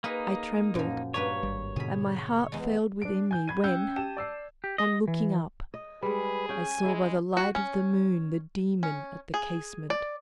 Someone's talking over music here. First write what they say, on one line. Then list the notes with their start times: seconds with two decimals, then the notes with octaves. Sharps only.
I trembled and my heart failed within me, when, on looking up, I saw by the light of the moon the daemon at the casement.
0.04 A#3 D#4 G#4 B4 G#5
0.75 F#2 A#2 F3
1.14 G2 A#3 B4 C#5
1.43 G#1 G3
1.76 G#2 B2 D3 G#4 B5
2.52 E2 G#3
3.02 D4 D7
3.31 G#5 G6
3.48 B5 G#6 D#7
3.64 C#4 G5 E6 G6
3.96 G4 A5 E7
4.17 D5 E6 C7
4.64 G4
4.78 D#5
5.08 E3
5.74 D#5
6.02 G3 G#3 G#4 B4
6.49 C#4 G5 G#5
6.84 G#3 E4 G#4
7.37 F#4
7.55 C#4
8.83 C#4
9.34 G#4
9.90 D5